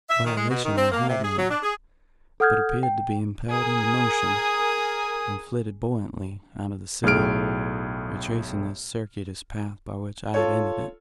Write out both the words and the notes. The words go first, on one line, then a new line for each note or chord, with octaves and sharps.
Volition I had none, but appeared to be impelled into motion, and flitted buoyantly out of the city, retracing the circuitous path by which I had entered it.
E5
D#3
G#3
B2
D#3
C4
A#3
C3
G#4
F#3
D4
G#4
A4 F#5 D#6 F6 G6 G#6
G5
G#4 A#4 G#5 D#6
B1 A2 G#4 F6 D7
F4 A4 C#5